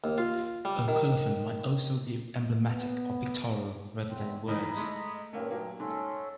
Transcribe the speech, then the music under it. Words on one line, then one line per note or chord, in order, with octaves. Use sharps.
A colophon might also be emblematic or pictorial rather than in words.
D#2
F4
G3
D#3
B3
E2 C4
A2 D#3 E3 D#5 A#5 B5
G#3 A3
G2 A#2 D#3 A3 A#3 C#4
F#3 A#3
G#2 C#4 A4